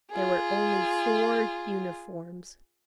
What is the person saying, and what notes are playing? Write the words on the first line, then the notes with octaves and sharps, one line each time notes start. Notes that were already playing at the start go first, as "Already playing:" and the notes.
There were only four uniforms.
F4 G#4